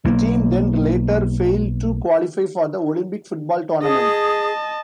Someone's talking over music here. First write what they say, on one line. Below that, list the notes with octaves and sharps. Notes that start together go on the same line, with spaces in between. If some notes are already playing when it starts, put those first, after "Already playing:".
The team then later failed to qualify for the Olympic football tournament.
B1 A#3
G#4 D#5 A5